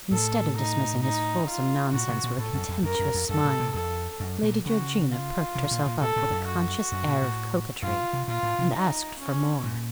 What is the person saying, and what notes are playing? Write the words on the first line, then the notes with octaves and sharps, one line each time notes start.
Instead of dismissing his fulsome nonsense with a contemptuous smile, Lady Georgina perked herself up with a conscious air of coquetry, and asked for more.
A2 A4
D#4
D#4
F4
A#2 F#4
C3
A#2
A2 A4
F#2
F2
F#2 A#4
F#2
F2
F#2 A4
A2
C3
F2 A4
F#2
A#2
C#3 F#4
F4
C3
A#2
A#2
A#2 A4
A2
F#2
F#4
F#2
A#2
A2
F#2 F4
C3
A#2 F4
A2
C3
D#4
C#4
A#2